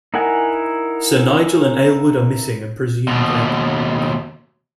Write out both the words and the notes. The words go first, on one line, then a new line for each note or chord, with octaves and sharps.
Sir Nigel and Aylward are missing and presumed dead.
D#4 E4 A#4 F#5 G#5
D#2 B2